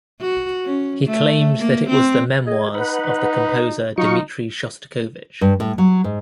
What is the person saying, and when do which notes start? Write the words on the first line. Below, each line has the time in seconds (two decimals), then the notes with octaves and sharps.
He claimed that it was the memoirs of the composer Dmitri Shostakovich.
0.21 F#4
0.65 C#4
1.05 A3
1.60 A#3
1.89 C4
2.47 G#4 D#5
2.75 D#4 B4 F#5
3.98 F#3 D#4 F4 C#6
5.41 G2
5.60 A2
5.78 F#3
6.04 G#2